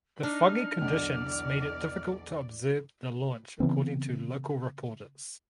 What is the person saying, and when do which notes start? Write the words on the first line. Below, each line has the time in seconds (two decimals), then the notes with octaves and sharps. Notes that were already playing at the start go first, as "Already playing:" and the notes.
The foggy conditions made it difficult to observe the launch according to local reporters.
0.23 D4 D#4 F6
0.81 B1 E2 D3 D5
3.60 C#3 E3 B3 C4